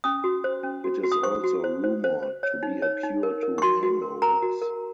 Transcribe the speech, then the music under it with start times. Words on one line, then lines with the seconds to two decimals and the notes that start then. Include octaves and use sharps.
It is also rumoured to be a cure to hangovers.
0.04 C#4 D#6
0.24 F#4
0.44 C5
0.63 C#4
0.84 F#4
1.03 F#4
1.12 D#6
1.23 C5 C#6
1.44 F#4
1.64 C5
1.84 C5
2.04 C5
2.23 C5
2.43 C#5
2.63 D#4
2.82 C#5
3.03 D#4
3.23 A#4
3.43 A#4
3.58 C#6
3.62 F#4 C6
3.83 F#4
4.02 A#4
4.22 A#4 A#5
4.42 F#4
4.62 A#4